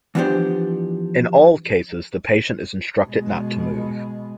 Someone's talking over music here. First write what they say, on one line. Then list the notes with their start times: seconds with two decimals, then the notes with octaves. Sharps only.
In all cases, the patient is instructed not to move.
0.15 E3 F3 B3 D4 G4 C5
3.06 B2 G#3